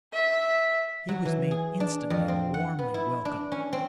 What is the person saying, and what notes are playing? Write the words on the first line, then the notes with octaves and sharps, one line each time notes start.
He was made instantly and warmly welcome.
E5
F#3
E3
G#4
D4
F2
C4
F#5
B3
E4
D4
C#4
C4